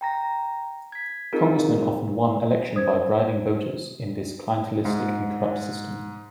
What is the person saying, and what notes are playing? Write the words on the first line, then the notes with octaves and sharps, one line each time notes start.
Congressmen often won election by bribing voters in this clientelistic and corrupt system.
G5 A#5 A#6
G#6 B6
C4 D#4 F4 G#4 A#4
C5 D#6 G#6
G#2